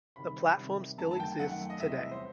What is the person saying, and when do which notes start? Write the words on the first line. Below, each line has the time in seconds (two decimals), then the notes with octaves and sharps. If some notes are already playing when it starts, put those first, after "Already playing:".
The platform still exists today.
0.16 C3 D#3 G3 B5
0.57 C3 D#3 G3
0.98 F#2 D#3 A3 A5
1.11 A5
1.20 G5
1.39 F#2 D#3 A3 F#5
1.70 D#5
1.80 E2 C3 E3 G3 E5
2.12 C5